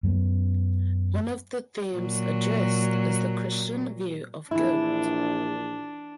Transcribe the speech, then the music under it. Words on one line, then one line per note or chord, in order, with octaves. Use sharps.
One of the themes addressed is the Christian view of guilt.
F#2 F#3 A#3 B3
A#2 F#3
A#1 E3 D4 E4